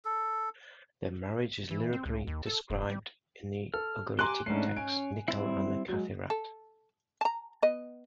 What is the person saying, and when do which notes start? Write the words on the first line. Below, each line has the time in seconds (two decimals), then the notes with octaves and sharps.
Their marriage is lyrically described in the Ugaritic text "Nikkal and the Kathirat".
0.05 A4
1.71 E3
1.93 C4
2.06 C#2
2.27 D#2
2.46 A4
2.70 F1
2.90 G3
3.74 A4 F6
4.19 G4 G#5 A#5 C6 D6 F#6
4.46 G#2 A3 C#4 D4 C7
4.76 C#4 G#5 D7
5.28 G3 C4 E4
5.88 F#3 G#3
6.30 A4
7.21 A5 A#5
7.62 B3 D#5